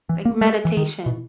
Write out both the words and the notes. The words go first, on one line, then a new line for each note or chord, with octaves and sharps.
Like meditation.
E3
A#3
G#3
E3
D#3
B2